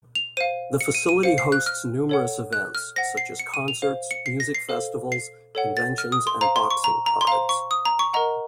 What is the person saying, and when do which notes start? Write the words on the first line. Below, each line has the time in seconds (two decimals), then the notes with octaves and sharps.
The facility hosts numerous events, such as concerts, music festivals, conventions and boxing cards.
0.15 F7
0.37 C5 F5 D#7
0.81 C#7
0.95 D#7
1.09 D#7
1.23 C5 F5 C#7
1.38 C7
1.52 F#6
1.66 F6
2.09 A4 C#5 F#5
2.53 F#6
2.75 F6
2.96 C5 F#5 A#6
3.17 C7
3.39 C#7
3.54 D#7
3.68 F7
3.82 C5 F5
4.11 C#7
4.26 C7
4.40 A#6
4.55 C7
4.69 A4 C5 F5
5.12 C7
5.55 A4 C#5 F#5
5.77 A6
5.98 F6
6.12 D#6
6.27 C6
6.41 C5 F5 A#5
6.56 C6
6.70 C#6
6.84 A#5
7.06 A#5
7.21 C6
7.27 C5 F5 A#5
7.49 C#6
7.71 D#6
7.85 A#5
7.99 C#6
8.13 A#4 D#5 F#5 A#5